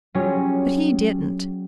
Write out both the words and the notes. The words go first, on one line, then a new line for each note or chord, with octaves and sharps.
But he didn't.
F#3 G3 C#4 F4 G#4 C#5